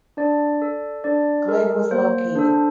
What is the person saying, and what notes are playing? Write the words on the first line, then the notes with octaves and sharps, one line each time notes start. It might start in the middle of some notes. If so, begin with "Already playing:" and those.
Glynn was located.
D4 D5
A4
D4 D5
A4 A#4
A#3 C5
D4 A4